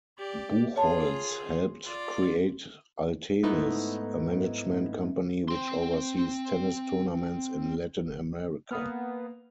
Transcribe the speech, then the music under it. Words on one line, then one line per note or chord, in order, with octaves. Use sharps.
Buchholz helped create Altenis, a management company which oversees tennis tournaments in Latin America.
G4 D5
F4 G#4 C#5 A5
F4 D5
G#2 A3 B3 D#4 E4
C4 C6
A#3 B3 D#6 F6